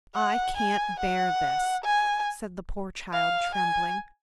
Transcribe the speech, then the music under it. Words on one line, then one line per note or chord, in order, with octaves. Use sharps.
"I can't bear this!" said the poor child, trembling.
F#5
G#5
F#5
G#5
F5
G#5